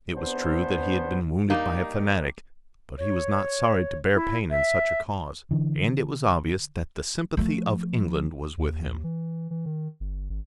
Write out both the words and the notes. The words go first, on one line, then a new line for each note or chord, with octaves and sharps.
It was true that he had been wounded by a fanatic, but he was not sorry to bear pain in such a cause, and it was obvious that the sympathy of England was with him.
E2 C3 B3 C#4 D4 C5
G3 A#3 D#4
C#5
E4
E5
D3 E3
F3 A3
D#2
E3
E3
D#3
G1
G#1